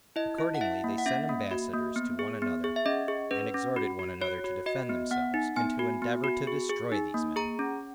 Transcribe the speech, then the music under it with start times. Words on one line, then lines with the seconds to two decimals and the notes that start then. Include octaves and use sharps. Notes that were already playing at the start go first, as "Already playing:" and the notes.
Accordingly they sent ambassadors to one another, and exhorted one another to defend themselves, and to endeavor to destroy these men.
0.16 E4 D#5
0.38 E4
0.54 F#5
0.61 E4 E5
0.84 A#3
0.98 F#5
1.06 C#4 E5
1.29 A#3
1.51 F#4
1.74 A#3
1.96 B3
2.19 G#4
2.42 B3
2.64 G#4
2.76 E5
2.86 C#4 D#5
3.08 G#4
3.31 C#4 B4
3.54 C#4
3.76 F#4
3.99 F#4
4.22 F#4 C#5
4.44 F#4
4.66 F#4 D#5
4.89 B3
5.11 B3 F#5
5.34 D#4
5.56 B3 G#5
5.79 F#4
6.02 B3
6.24 F#4
6.47 G#4
6.70 G#4
6.92 D#4
7.14 A#3
7.36 G#4 A#5
7.59 C#4